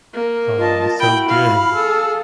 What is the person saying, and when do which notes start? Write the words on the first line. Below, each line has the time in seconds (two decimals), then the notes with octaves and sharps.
Oh, so good.
0.13 A#3
0.58 F4 D#5 A5
1.00 E4 F#4 G5 B5
1.28 F5
1.74 G#4 A4 E6